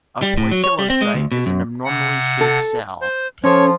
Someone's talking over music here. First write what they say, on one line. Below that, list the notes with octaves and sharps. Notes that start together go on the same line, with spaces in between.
A "poikilocyte" is an abnormally shaped cell.
G3
A2
F#3
C#5
G3
C4
G#3
D2
B2
F#2
C3 F#5
A4
C5
F3 C#4 A4 C#5